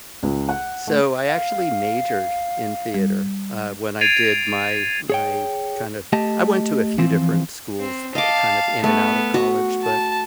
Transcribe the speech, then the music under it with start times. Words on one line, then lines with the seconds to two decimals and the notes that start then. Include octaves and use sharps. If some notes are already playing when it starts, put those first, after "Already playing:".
So I actually majored in theater, uh, when I did my my kind of I went to a few different schools kind of in and out of college, but
0.23 C#2
0.49 F#5
0.87 A3
1.28 F5
2.94 G3
4.01 G#6 A6 C7 D7 D#7 F7
5.10 G#4 C#5 G5
6.13 A3 G4 D#5 A5
6.98 E3 F3 C4
7.80 C4
8.15 D#5 F5 A5 D6
8.84 A3 B3
9.34 F#4
9.82 A5